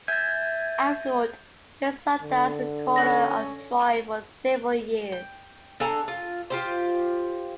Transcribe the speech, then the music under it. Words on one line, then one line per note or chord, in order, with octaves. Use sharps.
Afterward he served as Recorder of Troy for several years.
E5 G#5 G6 A6
D3
C#4 A4 A#6
G5
D4 A4 G#5 A#5
F4
F4 G4 C5